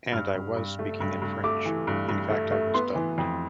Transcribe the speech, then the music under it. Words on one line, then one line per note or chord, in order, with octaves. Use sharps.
And I was speaking in French; in fact I was dubbed.
G2 F6
G2
G2
A3
G2
G2
A3 D6
E3
G2
G2
A3
A3
B3 C6
E3
F2